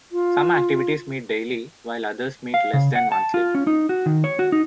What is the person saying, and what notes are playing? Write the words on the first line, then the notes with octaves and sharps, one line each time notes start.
Some activities meet daily while others meet less than monthly.
F4
F5
C#3
F#5
A5
F4
C#4
D#4
F#4
D#3
C#5
F#4
D#4